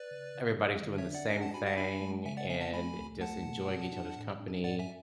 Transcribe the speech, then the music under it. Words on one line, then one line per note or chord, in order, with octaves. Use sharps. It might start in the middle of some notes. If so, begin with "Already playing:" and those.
everybody's doing the same thing and just enjoying each other's company,
Already playing: B4 D5
C#3
C#3
F#3
D3
C#5 E5
D4
D5 F#5
D4 E5 G#5
F#5 A5
F#4 G#5 B5
F#5 A5
D4 G#5 B5
G#3
C#3 E5 G#5
D5 F#5
B3 E5 G#5
F#5 A5
A3 G#5 B5
C#2
A3 F#5 A5
B2
F#4
D4
A2
D4
A2 D5 F#5
E5 G#5